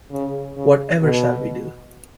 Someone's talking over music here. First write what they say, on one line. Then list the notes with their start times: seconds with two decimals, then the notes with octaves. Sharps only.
What ever shall we do?
0.11 C#3
0.57 C#3
1.02 B2